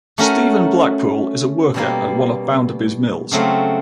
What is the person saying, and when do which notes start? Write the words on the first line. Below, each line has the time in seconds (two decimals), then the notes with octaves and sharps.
Stephen Blackpool is a worker at one of Bounderby's mills.
0.18 A3 C#4 F#4 A#4
1.74 B2 G3 A#3
3.31 C#3 F#3 A3 C4 F4